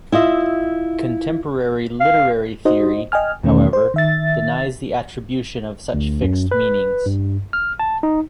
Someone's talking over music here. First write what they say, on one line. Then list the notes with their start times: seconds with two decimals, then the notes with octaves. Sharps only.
Contemporary literary theory, however, denies the attribution of such fixed meanings.
0.12 E4 F4 D#5 E5
2.01 F5
2.65 D#4 F#4 C5 D#5
3.12 D#5 G5 G#5 F6
3.43 E2 B2 D#3 A3 C#4
3.73 C5
3.94 D#3 E5 A6
5.94 D2
6.22 F#2
6.51 B4
7.06 G2
7.53 F6
7.80 A5
8.03 D#4